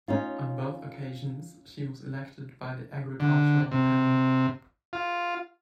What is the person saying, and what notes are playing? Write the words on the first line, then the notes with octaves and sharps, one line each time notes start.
On both occasions she was elected by the Agricultural Panel.
C#4 D#4 F4
D3
C3
F4